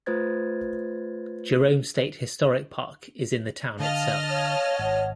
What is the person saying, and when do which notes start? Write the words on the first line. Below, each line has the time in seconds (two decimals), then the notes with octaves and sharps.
Jerome State Historic Park is in the town itself.
0.06 A3 F4 B4 C5 G#6 A6
3.80 D3 D#5 F5 A5 F6
4.31 C#5 F5
4.79 G#1 F#5